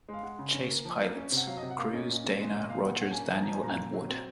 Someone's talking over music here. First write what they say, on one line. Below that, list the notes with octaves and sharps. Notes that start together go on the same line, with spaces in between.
Chase pilots: Crews, Dana, Rogers, Daniel and Wood.
G#3
F5
G#3 F#5
C#3
C#4
A#3
F3
A#3
C#4
C3
F#5
F#3 F5
D#5
C3
F#5
A#3 F5
C#4 D#5
A#2 D#5
C#4
G#3
A#2
D#5
A#2 F5
A#2 F#5
C#4 F#5
G#5
A#3
F3 G#5
A#5
F3
G#5
A#2 A#5
A#2
F#3
C4